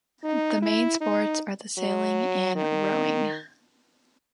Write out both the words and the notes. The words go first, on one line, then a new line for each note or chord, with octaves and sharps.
The main sports are the sailing and rowing.
D#4
E4
D#4
F#3
D#3